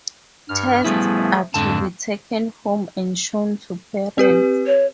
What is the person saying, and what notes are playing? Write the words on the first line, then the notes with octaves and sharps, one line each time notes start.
Tests are to be taken home and shown to parents.
G2 F6
F3 G3 A3 B3 E4 G#4
F2 G#2 D3 C4 A5
C4 G4 B4
C#5